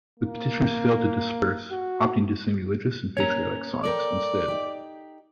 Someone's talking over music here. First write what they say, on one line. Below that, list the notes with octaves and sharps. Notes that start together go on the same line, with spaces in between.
The petitioners failed to disperse, opting to sing religious and patriotic songs instead.
A#3
F#4
A#3 C#4 C#5 A#5
A4 A#4 D5 G5
D#4 G4